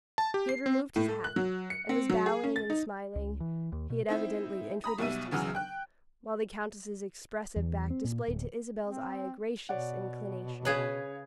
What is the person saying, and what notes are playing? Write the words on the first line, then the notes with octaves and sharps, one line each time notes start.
He had removed his hat and was bowing and smiling; he had evidently introduced himself, while the Countess's expressive back displayed to Isabel's eye a gracious inclination.
A5
G4
C7
C4
A2
A4
F#6
F#3
C#7
C4
F#3
G#4
C#4
A6
D#4
C#2
E3
D#2
B2
C4 D#4 E4
A#5 B5 D#6
B1 B2 G3 E5 D#7
E2 C#3 E3 F#3 E6 F6
G5 F#6
E2
C4
A#2
D1
C4
B2 C#5 D5 F#5
C#3 G#4 B4 C#5